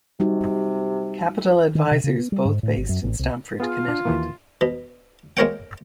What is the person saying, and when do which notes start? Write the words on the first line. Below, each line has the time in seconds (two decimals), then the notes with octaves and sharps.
Capital Advisors both based in Stamford, Connecticut.
0.20 C3 G3 D#4 F#4
1.75 D#3
1.91 C3
2.04 C#3
2.18 B3
2.32 G3
2.45 G#2
2.63 A2
2.77 G#1
2.89 F#2
3.03 A1
3.19 C2
3.60 B3 F4 G#4
3.88 D4
4.05 D#2 E3 A#3
4.61 B2
5.37 G#3 A#3 A#4 C#5 F#5 G5